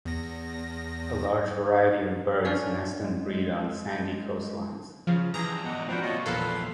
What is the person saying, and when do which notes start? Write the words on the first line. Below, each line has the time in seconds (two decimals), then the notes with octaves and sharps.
A large variety of birds nest and breed on sandy coastlines.
0.05 E2 A#6
2.45 C#4 D4 F4
3.04 G#3
5.07 C#3 F3 F5
5.34 G2 E3 G#4 A#5
5.65 E2 G#2 D#5 F#5
5.89 F3 C4 D4 F#4 B4 G5
6.02 G2 A#2 F4 C#5 D#5
6.26 A#1 E2 A#3 A4 B4 F5 C6